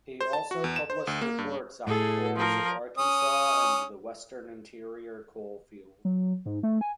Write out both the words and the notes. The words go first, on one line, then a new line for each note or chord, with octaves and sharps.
He also published reports on coals of Arkansas and the Western Interior Coal Field.
C5
A5
F#4
E2
E7
C5
D2
A#3
G2
A2 G#4 A4
F3 A#4
C#4 D#6
F#3
G#2
A3
G#5